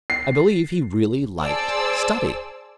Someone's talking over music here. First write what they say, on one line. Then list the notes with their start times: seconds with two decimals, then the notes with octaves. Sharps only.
I believe he really liked study.
0.10 C7
1.40 G#4 C5 D5 A5 E6